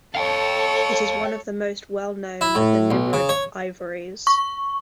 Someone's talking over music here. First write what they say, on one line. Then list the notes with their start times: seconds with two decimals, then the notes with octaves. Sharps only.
It is one of the most well known of the Nimrud ivories.
0.15 A4 C#5 F5 G5
2.41 E4
2.55 A2
2.91 B1
3.13 C#3
3.29 C#5
4.27 C#6